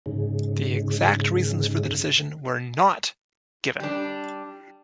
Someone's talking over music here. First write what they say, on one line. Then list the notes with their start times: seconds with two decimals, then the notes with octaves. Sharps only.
The exact reasons for the decision were not given.
0.06 G#2 C#3
3.80 G3 D4